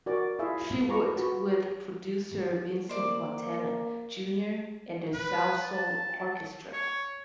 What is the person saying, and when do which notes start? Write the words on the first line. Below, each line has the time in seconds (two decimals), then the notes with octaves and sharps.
She worked with producer Vincent Montana, Junior and the Salsoul Orchestra.
0.06 F#4 A#4 D5
0.39 E4 F4 G#4 E5 F5
0.89 F4 B4 A#5 C#6 D6
1.16 F#4 B4
2.89 A#3 C5 D5 D6
5.13 B4
5.62 A5
6.73 C#5